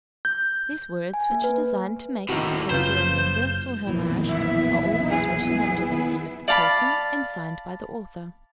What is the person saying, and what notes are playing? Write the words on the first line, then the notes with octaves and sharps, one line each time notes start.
These words, which are designed to make of the gift a remembrance or homage, are always written under the name of the person, and signed by the author.
G6
G#5
A#3
B4
D#2 A2 C4 F#4
F#1 C#3 B3 F4 C5 G6 E7
B1 F2 A#2 D#3 E3 B3 C4
B3 E4 E5
G#4
D5 F5 A5 B5